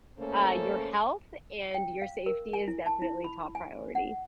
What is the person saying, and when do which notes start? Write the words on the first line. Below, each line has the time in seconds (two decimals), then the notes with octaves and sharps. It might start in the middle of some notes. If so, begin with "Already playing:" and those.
uh, your health and your safety is definitely top priority.
0.18 C#3 A3 A#3 C#4 A4 C5
1.74 G5
2.02 F5
2.26 A#4
2.53 G#5
2.68 E4
2.86 A5
3.02 E4
3.24 B5
3.55 G#5
3.95 F#5